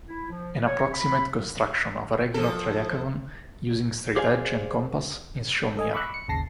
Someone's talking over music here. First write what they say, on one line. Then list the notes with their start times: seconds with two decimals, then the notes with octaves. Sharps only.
An approximate construction of a regular tridecagon using straightedge and compass is shown here.
0.08 E4
0.29 F3
0.66 C#5
0.93 B5
2.34 F3 A4
4.16 G4 G#4 C5 D5 F5 G#5
5.77 A4 D#5 G#5
5.94 B5 C#6 D6 E6 F#6
6.14 C#7
6.28 G#1 D#2 C#3 A5 A#6 C7